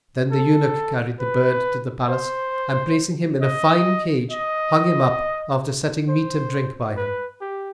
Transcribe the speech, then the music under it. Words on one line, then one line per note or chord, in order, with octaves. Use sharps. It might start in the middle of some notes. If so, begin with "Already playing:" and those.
Then the eunuch carried the bird to the palace and placing him in a fine cage, hung him up after setting meat and drink by him.
A4
B4
C5
D#5
D#5
C5
B4
G4